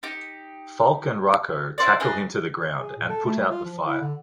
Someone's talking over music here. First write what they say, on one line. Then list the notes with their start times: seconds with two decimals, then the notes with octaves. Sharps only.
Falk and Raco tackle him to the ground and put out the fire.
0.03 D#4 G4
1.78 E4 F#4 C5 D5
2.00 D4 G#4 B4 D#5
2.80 G#4
2.97 A#2
3.09 A4
3.25 A3
3.38 G3
3.51 F4
3.65 F3
3.86 E4
4.01 D3